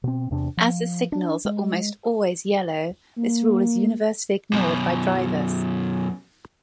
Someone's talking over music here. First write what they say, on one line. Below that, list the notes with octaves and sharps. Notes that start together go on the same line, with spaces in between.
As the signals are almost always yellow, this rule is universally ignored by drivers.
B2 C4
E2 C3 D4
F3
D4
G#3
A#3
F#2 B2